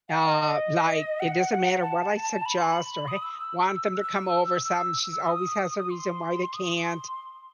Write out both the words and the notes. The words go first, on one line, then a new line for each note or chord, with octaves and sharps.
Uh, like, it doesn't matter what I suggest or hey want them to come over some, she's always has a reason why they can't,
F#5
D#5
F#5
A5
B5
C6
B5
D#6
E6
E6
F#6
E6
E6
D#6
D#6
C6
D#6
C6